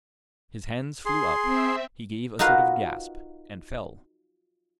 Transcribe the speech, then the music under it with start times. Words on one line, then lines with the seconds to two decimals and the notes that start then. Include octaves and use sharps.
His hands flew up, he gave a sort of gasp, and fell.
1.06 G#4 C6
1.43 C4 E5
2.39 D#4 F4 F#4 A#4 B4 F5